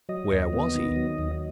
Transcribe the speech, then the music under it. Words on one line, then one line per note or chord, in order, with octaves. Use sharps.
Where was he?
F#3 D#5
D#2
B3
D#3
F#3
D#2